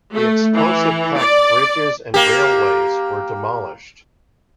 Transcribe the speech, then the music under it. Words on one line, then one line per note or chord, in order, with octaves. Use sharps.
The explosive-packed bridges and railways were demolished.
A3
E3
D5
A#3 G4